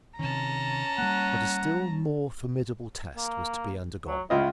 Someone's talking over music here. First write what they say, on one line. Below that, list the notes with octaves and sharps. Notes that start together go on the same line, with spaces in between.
But a still more formidable test was to be undergone.
C3 D#3 C#4 A5 A#5
G3 A#3 F#5
A#3
F#3
C#2 E4 F4 D#5